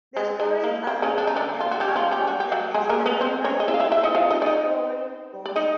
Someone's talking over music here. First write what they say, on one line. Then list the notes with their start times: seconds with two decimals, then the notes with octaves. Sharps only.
The stories are linked, and some of them extended, by a framing story, "Ghost".
0.17 G#3
0.40 G#3
0.64 A#3
0.87 C4
1.02 C#3 C#4
1.18 D4
1.27 D#4
1.36 D3 D4
1.60 F4
1.71 F#4
1.80 G3 G4
1.96 F3 F4
2.11 G3 G4
2.27 F#4
2.40 G4
2.52 F#3 F#4
2.74 G#3 G#4
2.89 A#3 A#4
3.06 B3 B4
3.21 C4 C5
3.44 C#4 C#5
3.60 D#5
3.68 E4 E5
3.74 F5
3.80 E4 E5
3.92 E4 E5
4.03 D#4 D#5
4.15 F4 F5
4.30 D#4 D#5
4.42 D5
4.46 D#4 D#5
5.46 D5
5.56 D#4 D#5